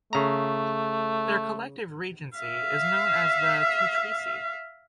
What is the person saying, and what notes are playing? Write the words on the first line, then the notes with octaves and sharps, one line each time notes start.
Their collective regency is known as the "Tutrici".
C#3 A3 A#5
E5 F5